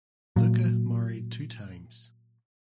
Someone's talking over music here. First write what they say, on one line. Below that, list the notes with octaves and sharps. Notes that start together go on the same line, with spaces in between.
Luka married two times.
A#2 F#3